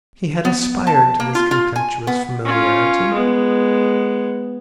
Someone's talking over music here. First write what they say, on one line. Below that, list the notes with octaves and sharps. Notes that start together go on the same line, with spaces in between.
He had aspired to this contemptuous familiarity.
B3
A5
A#3
F4
F4
G#5
B3
C#4 F4
G#3 B3